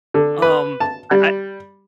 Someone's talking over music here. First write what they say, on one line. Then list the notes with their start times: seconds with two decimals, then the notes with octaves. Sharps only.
Um, I
0.14 D3
0.42 B4
0.80 A5
1.11 G3